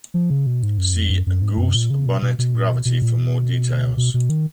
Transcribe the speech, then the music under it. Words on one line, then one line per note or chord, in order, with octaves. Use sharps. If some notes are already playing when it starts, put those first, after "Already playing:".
See Gauss-Bonnet gravity for more details.
F3
C#3
B2
G#2
F#2
F2
F#2
F#2
G#2
F#2
A#2
C#3
B2
B2
B2
A#2
B2
B2
A#2
B2
B2
B2
D#3